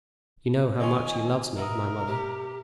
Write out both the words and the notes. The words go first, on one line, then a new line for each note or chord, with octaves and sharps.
You know how much he loves me, my mother.
A#2 D#3 F3 C#5 D#5 G#5
B2 A#4 E5 A#5 D#6
G4